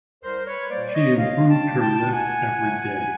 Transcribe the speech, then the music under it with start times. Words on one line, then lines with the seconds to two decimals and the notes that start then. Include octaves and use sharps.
She improved her list every day.
0.23 C2 A#4 C5
0.47 B4 C#5
0.70 A#2 G3 A#3 C5 D5
0.94 C#5 D#5
1.17 C2 D#5 F5
1.49 G5 A5
1.65 A#2 G3 A#3
1.80 G5 A5
2.12 C#2 F#5 G#5
2.59 C#3 F#3 A3